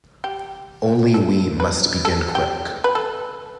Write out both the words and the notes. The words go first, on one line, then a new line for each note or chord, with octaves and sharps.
Only we must begin quick.
G4
A4
B4
A4
G4
B4
A4